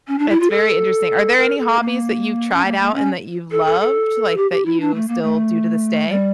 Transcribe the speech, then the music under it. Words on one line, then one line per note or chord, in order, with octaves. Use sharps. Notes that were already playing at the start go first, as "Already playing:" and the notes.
It's very interesting. Are there any hobbies that you've tried out and that you've loved, like, that you still do to this day?
C#4
D4
E4
F4
A4
A#4
A4
A#3
C#4
A#3
A3
A#3
C#4
A4
A4
A4
G4
G4
E4
D4
A3
A#3
A3
G3